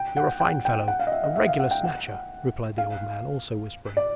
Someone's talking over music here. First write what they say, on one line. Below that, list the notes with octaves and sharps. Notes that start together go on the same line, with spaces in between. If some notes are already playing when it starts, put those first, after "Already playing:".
You're a fine fellow, a regular Snatcher!' replied the old man, also whispering.
Already playing: G5
F#5
G5
G5
F#5
F5
D#5
E5
D#5
E5
F5
F#5
G5
F#5
F5
D5